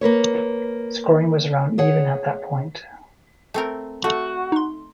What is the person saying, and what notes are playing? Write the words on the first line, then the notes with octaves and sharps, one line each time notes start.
Scoring was around even at that point.
A#3 A#4 B4 C#5
G#4 C#5 F#5
A3 C4 A#4
A3 F#4
D#4 C6